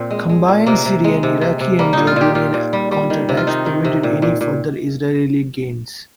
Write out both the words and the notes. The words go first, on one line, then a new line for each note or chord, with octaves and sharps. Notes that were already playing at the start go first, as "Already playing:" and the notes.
Combined Syrian, Iraqi and Jordanian counterattacks prevented any further Israeli gains.
Already playing: A#2 C4
G#3
G#3
A#2
C3 A#3
C3
G#3
C3
C3
C3
G3 A#3
A#2 D#4
F4
A#2 G4
A#2 F4
A#2
G3
G3
D#3
C3
F4
D#3 D#4
D#3
C3
A#2
A#2
A#2